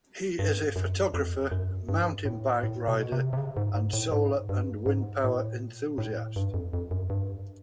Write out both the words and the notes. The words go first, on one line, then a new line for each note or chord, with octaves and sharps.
He is a photographer, mountain bike rider, and solar- and wind-power enthusiast.
G2
F#2
F2
F#2
G2
A2
A2
B2
C3
C3
C#3
G#2
G#2
A2
G#2
G2
G#2
A2
B2
A#2
A2
G2
F2
F2
F#2
G2